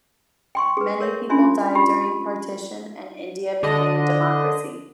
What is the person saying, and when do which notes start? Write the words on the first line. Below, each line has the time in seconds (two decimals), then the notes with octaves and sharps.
Many people died during partition and India became a democracy.
0.55 G5 C6 C#6
0.77 G#4 B4
1.00 A#4 C#5 E5
1.29 C#4 D4 F4 E5 G#5 C6
1.75 F4 G4 B5
3.63 D3 D4 D#5